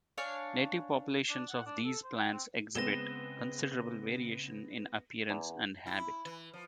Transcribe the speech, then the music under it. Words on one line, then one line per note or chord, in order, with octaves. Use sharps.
Native populations of these plants exhibit considerable variation in appearance and habit.
D4 C#5 F5 G#5
D4
F#5
D4
A4
C5
G5
C4
C#3 G#3 B3 C4 A#6 D#7 E7 G7
E2
E4
E3
F3